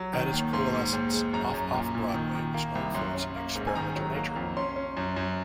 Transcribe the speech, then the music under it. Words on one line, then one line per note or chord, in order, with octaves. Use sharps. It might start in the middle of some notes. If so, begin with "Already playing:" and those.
At its coalescence, Off-Off-Broadway was known for its experimental nature.
Already playing: F#3
D#3
D#2
G#2 C6
G#2
D#2
G#3
F#2 A#5
F#2
A#2
A#2
D#3
D#3
A#3
C2
F#2 C6
C#4
A#3
G#2
G#5
D#3 A#5
F#3
A#3
F2
C#4 C6
C#4
F#2
F#2